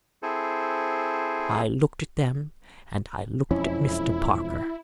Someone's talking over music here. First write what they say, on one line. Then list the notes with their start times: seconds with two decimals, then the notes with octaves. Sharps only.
I looked at them and I looked at Mr. Parker.
0.23 C4 E4 G#4 A4 C5
3.51 E1 F2 C#4 E4